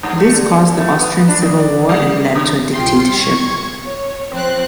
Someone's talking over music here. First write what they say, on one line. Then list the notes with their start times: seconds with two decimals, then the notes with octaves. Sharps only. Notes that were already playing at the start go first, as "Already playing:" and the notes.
This caused the Austrian Civil War and led to a dictatorship.
0.03 G2
0.20 A3
0.34 D3
0.59 G2
0.76 A3
0.99 B3
1.28 D4
1.42 D#2
1.60 D5
1.89 G3
2.35 C#3
2.73 C2 F4 G5 C6
3.21 C#6 G#6
3.87 C#5
4.32 F3 C4 F#6